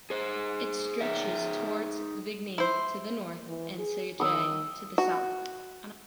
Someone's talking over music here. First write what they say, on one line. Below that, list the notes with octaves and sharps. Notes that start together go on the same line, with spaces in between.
It stretches toward Vigny to the north and Sagy to the south.
G#4 C5
D#4 G#4 E5
E4 C5
E3
G#4
D#3 D#6 E6
F#4